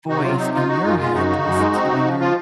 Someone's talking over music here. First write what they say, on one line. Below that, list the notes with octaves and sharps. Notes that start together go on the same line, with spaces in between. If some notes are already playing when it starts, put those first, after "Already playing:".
voice in your head to listen to when you're
C3 D#4 F#4
F#3 F4
C3 D#4
D#4 F4
D#4 F#4
F#2 F4
G#3 F4
F#2 D#4 F#4
C#3
F#2
G#3
C4
C3
F3
F3 F4